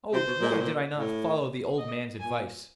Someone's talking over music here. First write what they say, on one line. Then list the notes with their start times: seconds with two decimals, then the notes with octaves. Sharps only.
Oh! why did I not follow the old man's advice?
0.13 C3 C5
0.27 B2
0.40 A#2
0.51 A2
0.61 A#2
0.96 A2
1.78 D#5
2.20 A#2 G#5